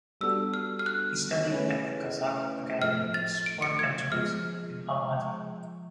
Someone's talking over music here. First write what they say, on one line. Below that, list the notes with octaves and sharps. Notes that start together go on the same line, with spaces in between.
He studied at the Kazakh Academy of Sport and Tourism in Almaty.
G3 B3 D4 F#4 A4 E6
F6
F6
F#6
A3 C#4 E4 G#4 B4
A2 F3 A3 F6
A6
D7
C#7
G#6
F3 G#3 F6